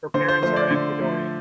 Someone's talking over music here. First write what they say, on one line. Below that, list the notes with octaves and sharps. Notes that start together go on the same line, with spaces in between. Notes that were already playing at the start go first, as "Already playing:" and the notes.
Her parents are Ecuadorian.
D3 C5
C5
F3 A3 C5
D5
D3
F3 A3